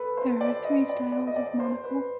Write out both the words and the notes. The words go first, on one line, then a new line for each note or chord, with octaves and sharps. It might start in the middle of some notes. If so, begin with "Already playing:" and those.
There are three styles of monocle.
Already playing: A4 B4
C5
D5
D#5
D5
D5
D#5
D5
C5
B4